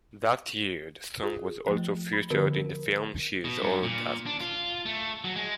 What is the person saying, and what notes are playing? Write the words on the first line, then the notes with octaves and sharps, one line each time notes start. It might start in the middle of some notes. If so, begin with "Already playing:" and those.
That year the song was also featured in the film "She's All That".
F4 G#4
F3 A3
B5
D3 F3 B3 F#4 A#4 B4
B2
G2
A#2
D4
F4
A3
F#3
G#3